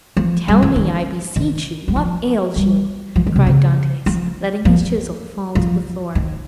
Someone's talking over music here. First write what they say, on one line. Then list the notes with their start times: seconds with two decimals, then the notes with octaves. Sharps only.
"Tell me, I beseech you, what ails you?" cried Dantes, letting his chisel fall to the floor.
0.17 F3
0.48 G3
0.62 F3
0.76 D#3
1.36 D#3
1.88 G3
1.96 F3
2.56 G3
3.16 F3
3.27 D#3
3.36 C3
3.47 C#3
4.06 F3
4.65 F3
5.55 F3
6.15 D#3